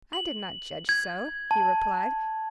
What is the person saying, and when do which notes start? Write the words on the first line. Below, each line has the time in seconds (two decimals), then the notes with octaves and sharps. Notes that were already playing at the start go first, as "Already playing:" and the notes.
"I did not judge so," he replied.
0.13 F#7
0.89 G#6
1.51 A5